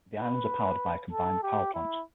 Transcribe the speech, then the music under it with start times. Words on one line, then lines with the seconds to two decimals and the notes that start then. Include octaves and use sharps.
The islands are powered by a combined power plant.
0.20 B4
1.12 A4
1.43 G4
1.74 E4